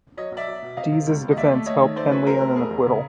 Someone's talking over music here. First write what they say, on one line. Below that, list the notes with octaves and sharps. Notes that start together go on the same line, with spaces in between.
Dees's defense helped Henley earn an acquittal.
F#3 C#5 D#5
B1
D5 E5
F#3
B2
C3 D#5 F5
C3
C#2
C#2
D#5
D#2 D5 E5
A3
A3 C#5 D#5
D#3
A3 C5 D5
F#3 B4 C#5
F#3 A#4 C5
A3
F1 G#4 A#4
E2
C#3